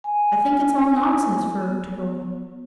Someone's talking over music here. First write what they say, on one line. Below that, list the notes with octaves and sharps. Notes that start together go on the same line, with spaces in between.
I think it's all nonsense for 'em to go.
G#5
B3